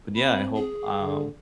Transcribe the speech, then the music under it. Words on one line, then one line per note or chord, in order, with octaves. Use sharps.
but yeah, I hope, um,
C4 B5
G#4
D3